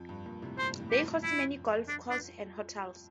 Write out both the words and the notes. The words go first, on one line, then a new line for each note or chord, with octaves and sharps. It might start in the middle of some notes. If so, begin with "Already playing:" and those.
They host many golf course and hotels.
Already playing: F2
G2
G2 A#2
A2 C3
G2 A#2 C5
F2 A2
G4
F2
F2 E4
D4
D4